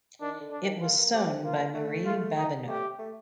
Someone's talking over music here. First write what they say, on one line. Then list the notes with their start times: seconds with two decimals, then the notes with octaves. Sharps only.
It was sewn by Marie Babineau.
0.21 D#3 D4
0.41 D3
0.51 D4
0.62 D#3
0.82 A#3 F4
0.99 A#3
1.13 C4 G4
1.29 C4
1.44 A#3 F4
1.75 A3
2.06 F4
2.37 D#4
2.68 A3 G4
2.99 A3